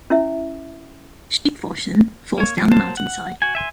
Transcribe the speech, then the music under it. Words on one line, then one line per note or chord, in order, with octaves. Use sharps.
Stigfossen falls down the mountainside.
C#4 E4 E5
A#3 C#5
F3
F#3 A#3 C5 A5
F#5
F#4 G#5
E5 G#5 C6